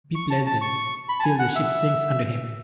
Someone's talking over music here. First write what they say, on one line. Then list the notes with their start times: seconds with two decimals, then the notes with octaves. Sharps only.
Be pleasant, till the ship sinks under him.
0.15 C#6
0.30 A5
0.46 A5
0.62 C#6
1.09 B5
1.20 A5
1.23 G#5
1.39 F#5
1.55 E5